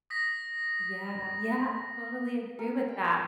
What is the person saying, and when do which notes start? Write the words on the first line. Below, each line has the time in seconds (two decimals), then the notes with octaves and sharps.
yeah yeah, I totally agree with that,
0.10 D#6 A#6 B6
2.59 A#4
2.88 G5